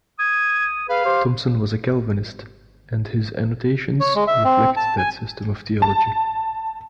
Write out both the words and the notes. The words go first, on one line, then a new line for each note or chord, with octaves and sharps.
Tomson was a Calvinist, and his annotations reflect that system of theology.
D#6 G#6
G#4 B4 F5
G4 C5
C#5
G#3
E5
C4
A5
G#5
A5